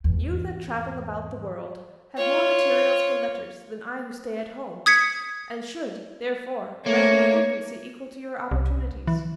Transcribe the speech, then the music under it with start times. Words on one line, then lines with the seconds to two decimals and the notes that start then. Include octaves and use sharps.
'You that travel about the world, have more materials for letters, than I who stay at home; and should, therefore, write with frequency equal to your opportunities.
0.04 E2 G#2
2.17 F4 C#5
4.86 D#6 G#6 B6 C#7
6.86 A3 A#3 C#5
8.51 C2
9.07 E3